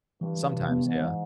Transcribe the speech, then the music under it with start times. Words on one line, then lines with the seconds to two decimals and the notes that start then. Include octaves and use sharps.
Sometimes, yeah.
0.21 G2 E3
0.37 E3
0.54 C3
0.69 B3
0.85 G#2 E3
1.02 E3